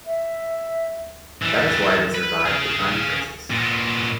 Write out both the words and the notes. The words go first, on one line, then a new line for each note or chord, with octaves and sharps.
That is why they survived the time crisis.
E5
E3 G3
B4
G#4 F5
A#2 B3